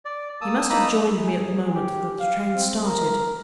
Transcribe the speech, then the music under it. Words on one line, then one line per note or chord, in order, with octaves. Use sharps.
He must have joined me at the moment that the train started.
D5
A#3 A5 D#6 E6
A#3 D#4 A#5 B5 D#6 E6
G#4
G4
F5
C4
A#4